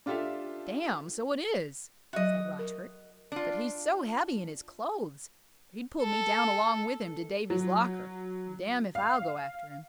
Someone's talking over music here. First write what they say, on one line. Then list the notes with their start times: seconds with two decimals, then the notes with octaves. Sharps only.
"Damme, so it is," said Rochfort; "but he's so heavy in his clothes, he'd pull me down along with him to Davy's locker:--damme, if I'll go after him."
0.06 D4 F4 G4 A4 E5 F5
2.13 F#3 F#4 D#5 E5
2.59 A#4
3.32 D4 F4
6.02 A4
7.50 F#3
8.95 F5